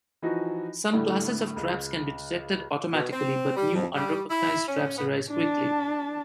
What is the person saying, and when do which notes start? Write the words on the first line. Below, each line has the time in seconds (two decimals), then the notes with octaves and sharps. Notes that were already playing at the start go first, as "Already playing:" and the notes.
Some classes of traps can be detected automatically, but new, unrecognized traps arise quickly.
0.22 E3 F3 D#4 F#4
0.93 A2 D3 G3 A3
1.56 C#2
2.92 B2
3.12 C4
3.56 G3
3.75 F2
3.94 G3
4.30 E4
4.68 C#4
4.98 B3
5.31 D4 A5